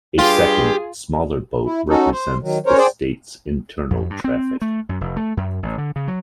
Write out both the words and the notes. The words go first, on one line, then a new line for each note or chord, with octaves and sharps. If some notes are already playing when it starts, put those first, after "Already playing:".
A second, smaller boat represents the state's internal traffic.
G2 F4 G4 G#4
E4
C#4 D#4 F#4 A4
C5
D#3 F#3
C#4 A#4 C5 C#5
G#4 C5 D5 G5
F2
G2
C4
A3
F#2
F1
A3
F#2
A1
D3
C#3
F#3